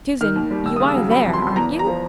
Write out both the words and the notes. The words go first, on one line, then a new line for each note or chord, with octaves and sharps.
"Susan, you are there, aren't you?"
D#3 F6
D#2
G3
D#2 E6
D#6
C#3
E6
F#3
G3 B5
F2
C6
F2
E2 A#5
E2
A#5
F3